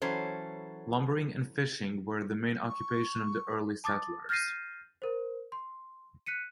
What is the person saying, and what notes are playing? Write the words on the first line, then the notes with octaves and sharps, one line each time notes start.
Lumbering and fishing were the main occupations of the early settlers.
E3 F#3 C#4 A4 C5
C#6
A5 D6 D#6 A6
F6 G6 A6 A#6 C7 D#7
A#4 C5
C6
F#6 B6 C#7 D#7